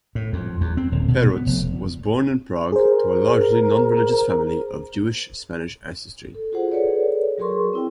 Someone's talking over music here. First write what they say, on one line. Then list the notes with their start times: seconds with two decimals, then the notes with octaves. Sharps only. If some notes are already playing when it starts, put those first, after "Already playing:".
Perutz was born in Prague to a largely non-religious family of Jewish-Spanish ancestry.
0.15 A2
0.33 F2
0.61 E2
0.77 C4
0.92 D#1
1.08 B2
1.30 B3
1.46 F1
2.72 G#4 A#4 C5
6.35 A4
6.52 F4 F#4 G#4 C5 F#5
6.72 G#4 A4 B4 C#5 D5
7.38 F#3 F#4 G#4 A#4 C6 C#6
7.73 C4 E4 G5